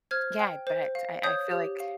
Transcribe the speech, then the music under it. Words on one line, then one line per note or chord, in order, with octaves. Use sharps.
Yeah, I bet, I I feel like
C5 F6 G#6
G5
C5
F5
C#5 D#6 G6
G4
F5